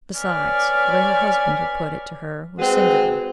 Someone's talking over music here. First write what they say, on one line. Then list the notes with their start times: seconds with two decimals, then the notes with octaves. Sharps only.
Besides, the way her husband had put it to her was singular.
0.17 B4 C#5 D5 G#5 F6
2.59 G#3 C4 F#4 G#4 B4